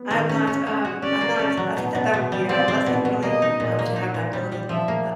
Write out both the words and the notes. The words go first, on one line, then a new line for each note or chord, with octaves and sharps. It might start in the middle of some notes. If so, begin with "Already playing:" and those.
I have not, um, I've not I think that that would be a blessing, really, um, to have that ability. Uh
Already playing: B3
D#3
C#4
C#4
C#4
F#4
C#4 D5
A#3
C#4
F#3
B2
B2
B2
G3
C4 D5
C4
B2
B2
A#3 D#5
D#4
A#2
A#3
D#4
A#2
G3
G3
F3 E5
A#3